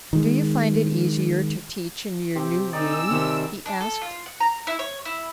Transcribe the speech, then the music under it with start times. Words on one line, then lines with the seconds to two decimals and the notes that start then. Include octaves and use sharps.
"Do you find it easier to teach in your new room?" he asked.
0.13 D#3 G#3
2.36 C3 C4 G4
2.73 D#4 G#4 D5 E6
3.11 C3 D#3 G3 D4
3.66 D4
3.81 A4
4.01 F4
4.26 F#5
4.40 A#5
4.67 E4
4.79 C#5
5.05 E4